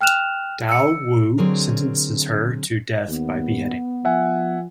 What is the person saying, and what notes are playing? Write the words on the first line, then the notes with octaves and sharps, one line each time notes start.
Tao Wu sentences her to death by beheading.
G5 F6 F#6 E7 F7
E6 C#7
D3 F#3 C4 G#4 A#4 C#5
D#2 B3
F3 E5 F#5 G#5